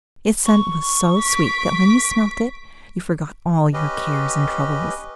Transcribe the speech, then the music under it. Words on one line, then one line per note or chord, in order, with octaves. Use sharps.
Its scent was so sweet that when you smelt it you forgot all your cares and troubles.
C#6
B6 D7
C#4 G4 B4 D#5